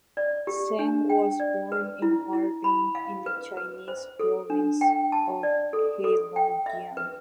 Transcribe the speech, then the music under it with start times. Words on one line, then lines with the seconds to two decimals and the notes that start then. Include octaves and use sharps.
Zeng was born in Harbin in the Chinese province of Heilongjiang.
0.17 D5
0.47 G4
0.79 D4
1.09 G5
1.40 D5
1.72 B4
2.02 E4
2.33 E4
2.64 B5
2.95 F5
3.26 B4
3.57 B4
3.88 C5
4.19 A4
4.50 D4
4.81 G5
5.12 A5
5.43 D5
5.73 A4
6.04 A4
6.36 G5
6.66 E5
6.97 B4